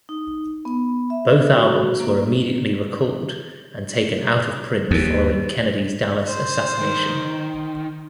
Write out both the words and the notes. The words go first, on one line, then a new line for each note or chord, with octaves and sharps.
Both albums were immediately recalled and taken out of print following Kennedy's Dallas assassination.
D#4
B3
E5
F#4
A#3
D#2
C5
D#3